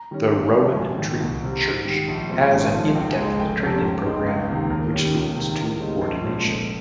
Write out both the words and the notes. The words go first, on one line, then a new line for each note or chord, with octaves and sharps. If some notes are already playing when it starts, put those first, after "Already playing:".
The Rowan Tree Church has an in-depth training program which leads to ordination.
Already playing: A#5
D#3 G3 C#4
G1
G2 F3 G#3
A#1 G#5
G#2 D#3
C2
C3 G3 C4
G#2
D#3 G3
A#1
A#2 G#3 C4
G#1 G5
G#2 F3 C4
C#2 G5
G#5
C#3 G#3
G#5
F1 G5
F2 C3 G3 C#4
C#2
C#3 G#3 D#4
G5
C#2 F5
C3 D#3 A#3
D#2 A#4
D#3 G3 C#4
C#2
C3 D#3
C#2 A#4
C#3 G3 C4 D#4
A#1 C5
A#2 G#3 C#4
F1